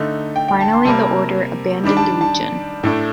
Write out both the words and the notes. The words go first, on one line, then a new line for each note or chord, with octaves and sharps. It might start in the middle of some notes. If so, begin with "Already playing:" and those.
Finally the order abandoned the region.
Already playing: D3 A3 D#4
G5
G5
A5
C6
C3 G3 A#3 A5
D#3 G3 D4
A5
A5
A2 A3 D4